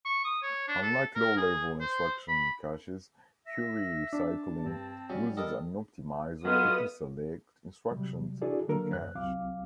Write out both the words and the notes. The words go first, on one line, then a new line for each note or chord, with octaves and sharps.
Unlike low-level instruction caches, query recycling uses an optimizer to pre-select instructions to cache.
C#6
D#6
C#5
D4
A4
A#4
G#4
C5
B5
E5 A#6
D4 A5
G2 C4
F#3 G3 C#4 D5
G3 A4 A#4 D#5
F#3 B3 F4 A4 D#5 D#6
C3 F#3 G3
D4 E4 F#4 G#4 A4 D5
D3 F#3 A#3 D4 A4 A#4
F#2 F#6
C2 F#3 C4 F5 D6